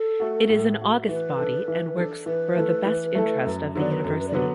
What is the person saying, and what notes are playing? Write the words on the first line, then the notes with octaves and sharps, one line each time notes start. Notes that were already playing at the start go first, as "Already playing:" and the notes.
It is an august body and works for the best interest of the University.
Already playing: A4
A3 F#4
A2
A3 F#4
E3 B4
D4 A4
E3
D4 A4
E3 B4
A3 E4 A4
E3
A3 E4 A4
F#2
D3 F#3 B3 D5
B4
F#2 A4
B4
D5
D3 F#3 B3 B4